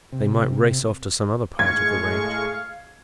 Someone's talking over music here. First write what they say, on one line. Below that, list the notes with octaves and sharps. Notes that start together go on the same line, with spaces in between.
They might race off to some other part of the range.
C3
A2 G#3 F5 C#6 G#6